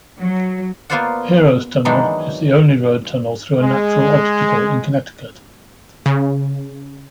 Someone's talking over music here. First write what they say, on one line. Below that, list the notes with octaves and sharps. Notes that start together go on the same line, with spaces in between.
Heroes Tunnel is the only road tunnel through a natural obstacle in Connecticut.
F#3
A#3 B3 F4 C5 D5 F#5
D#3 E3 F#3 G#3 D4 D#4
G#3
C#3